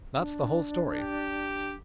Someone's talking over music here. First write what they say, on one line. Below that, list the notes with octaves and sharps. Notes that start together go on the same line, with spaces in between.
That's the whole story.
D4
G4